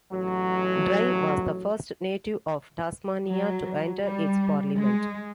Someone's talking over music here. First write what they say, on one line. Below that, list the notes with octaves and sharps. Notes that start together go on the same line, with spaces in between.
Dry was the first native of Tasmania to enter its parliament.
A1 F#3
F#3
G3
G#3